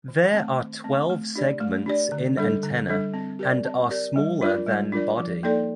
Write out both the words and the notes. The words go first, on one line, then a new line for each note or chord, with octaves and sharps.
There are twelve segments in antenna and are smaller than body.
D#3
A3 C4
D#3
A3 C4
A3
D4 G4 D5
A3
D4 G4 D5
D3
G3 D4 A4
D3
G3 D4 A4
C4
G4 A#4 D5
C4
G4 A#4 D5
G3
D4 F4 A#4 D5
G3
D4 F4 A#4 D5
F3
A#3 D#4 A4 D5